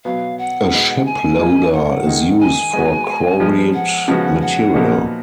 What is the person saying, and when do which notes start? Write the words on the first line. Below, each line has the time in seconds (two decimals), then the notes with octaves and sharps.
A ship loader is used for quarried material.
0.05 B2 F#3 B3 F5
0.38 F#5
0.71 B2 G#3 B3 D#4
1.05 G#5
1.39 F#3 A#3 D#4 G#4
1.73 F#5
2.06 D#3 G#3 D#4
2.40 G#5
2.73 G#3 B3 F#4
3.40 F3 G#3 B3
3.74 F#5
4.08 C#3 F3 G#3 B3 F#4
4.41 F#5
4.74 A#2 F3 B3 D#4 F#4